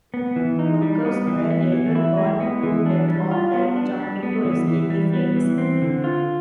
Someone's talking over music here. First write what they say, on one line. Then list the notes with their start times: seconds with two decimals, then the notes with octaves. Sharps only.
Workers were either burned to death or died jumping to escape the flames.
0.14 B3
0.36 E3
0.59 D#4
0.82 G3
1.05 B3
1.27 E3
1.50 B3
1.72 E3
1.95 E4
2.17 G#3
2.40 B3
2.63 E3
2.86 D4
3.08 G3
3.31 F4
3.54 B3
3.76 D4
4.00 G3
4.23 B3
4.45 E3
4.68 E3
4.90 G3
5.13 B3
5.36 E3
5.58 C4
5.82 D3
6.04 F4